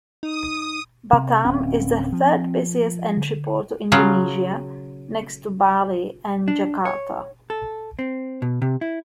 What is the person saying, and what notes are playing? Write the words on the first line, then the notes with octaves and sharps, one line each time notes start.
Batam is the third busiest entry port to Indonesia next to Bali and Jakarta.
D#4 D#6
C3
D1 C4 C#4
F3
D3
C#3 F#3 F4
D4
C#5
A4
C4
B2
C3
E4